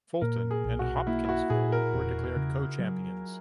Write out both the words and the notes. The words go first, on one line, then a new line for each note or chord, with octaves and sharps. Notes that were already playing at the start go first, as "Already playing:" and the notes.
Fulton and Hopkinsville were declared co–champions.
A#2 A#4
G#4
B1
F#4
A#3 E4
E4
F#4
A#2 G#4
A#4
E1
C#3
F#3